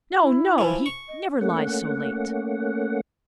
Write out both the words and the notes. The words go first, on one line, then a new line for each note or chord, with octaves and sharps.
No--no--he never lies so late.
E4
E3 F3
C#6
D#5
A3 A#3 C#4 F#5